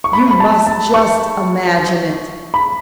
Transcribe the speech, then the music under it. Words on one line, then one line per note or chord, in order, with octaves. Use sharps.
You must just imagine it.
C#6
B5
B5
A5
A5
C#6
B5